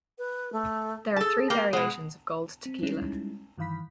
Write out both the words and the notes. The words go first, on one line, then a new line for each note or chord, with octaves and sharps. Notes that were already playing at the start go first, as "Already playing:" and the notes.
There are three variations of gold tequila.
B4
A3
G#4 A4 A5
A#3 G4 A#4
B2 G#3 F#5
C4
G3 G#3 C#4 D#4 E4
G2 D#3 E3 F5 B5 B6